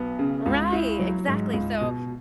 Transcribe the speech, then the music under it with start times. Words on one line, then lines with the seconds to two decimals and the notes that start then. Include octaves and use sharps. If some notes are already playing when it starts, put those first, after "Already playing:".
Right, exactly, so
Already playing: B1 B3
0.19 C#3
0.46 C#2
0.73 E4
0.99 F#3
1.27 G#2
1.53 C#2
1.81 B2